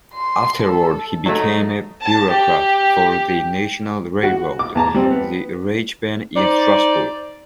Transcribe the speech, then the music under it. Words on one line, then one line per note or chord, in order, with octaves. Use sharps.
Afterwards, he became a bureaucrat for the national railroad, the Reichsbahn, in Strasbourg.
C6
A4
F#3 A3 D#4
A5
G4
F#4 F#5
D6
E2 A5 A#5
G3 C4
B3
D#4 C5 D5